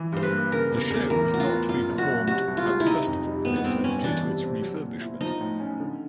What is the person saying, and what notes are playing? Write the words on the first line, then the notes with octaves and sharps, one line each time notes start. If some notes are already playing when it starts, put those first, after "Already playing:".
The show was not be performed at the Festival Theatre due to its refurbishment.
Already playing: E3
G2 C5
B4
A#3
C#3 A#4
E2
A#4
E2
E3 A#4
A2 F#4
F4
B3
F#2 F4
F#1
F#4
F#3
C3 F#4
C2
F4
G#3
E4
C3 D#4
F2
G3
F2 B3
B3
G1 C4
G1 C#4
E3 D4
C3
C4
F#3
A#2
E4
F3 D#4
A2
C#4
D3